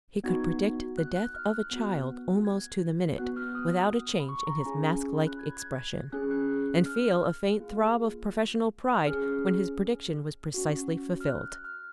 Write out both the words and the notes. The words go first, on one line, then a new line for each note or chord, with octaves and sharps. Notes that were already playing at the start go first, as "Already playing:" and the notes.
He could predict the death of a child, almost to the minute, without a change in his mask-like expression, and feel a faint throb of professional pride when his prediction was precisely fulfilled.
B3 D#4 F#4 G#6
F#6
F#6
F6
F#6
B3 F#4
G#6
B3 F#4 F#6
F6
D#6
B5
C#6
A#5
C#4 F4 G#4 G#5
B5
F#6
G#6
G#6
C#4 G#4 F#6
F#6
F6
A#3 F4 G#4
C#4 G#4 F6
C#4 F#4
F6
F#6
F6